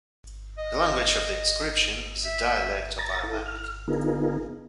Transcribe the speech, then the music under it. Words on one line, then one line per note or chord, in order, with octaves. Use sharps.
The language of the inscription is a dialect of Aramaic.
D#5
E5
A#5 A6 A#6
E4 A4
F6
D3 B3 D#4 F4 G#4 A#4